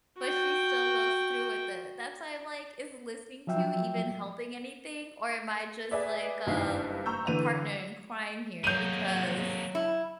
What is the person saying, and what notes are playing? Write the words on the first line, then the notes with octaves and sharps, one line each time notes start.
but she still goes through with it. That's why I'm like, "Is listening to you even helping anything, or am I just like, uh, a partner in crime here?" because
F#4 G5
F3 F#3 E5 G5 E6
G#4 B4 D5 E5
F#1 G2 D#3 E4 F5 C7
A#5 C#6 E6 G6
D3 E3 D#7 F7
F#3 G#3 A#3 G6 D#7
E4